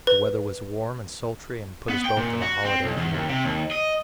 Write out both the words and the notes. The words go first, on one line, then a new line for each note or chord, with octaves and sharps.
The weather was warm and sultry and put us both in a holiday humor.
B4
B3
G5
A#2
F#4
C4
B1
E2
D#2
C3
D#2
D#5